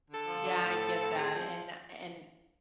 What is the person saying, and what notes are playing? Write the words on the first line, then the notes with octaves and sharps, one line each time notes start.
Yeah, I get that, and a and
D3 A4
F3
D3
A2
F3
A2
C4 G#4
F3